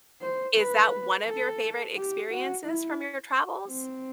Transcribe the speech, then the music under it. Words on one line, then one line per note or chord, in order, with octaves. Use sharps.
is that one of your favorite experiences from your travels?
C5
B4
A4
G4
F#4
E4
C4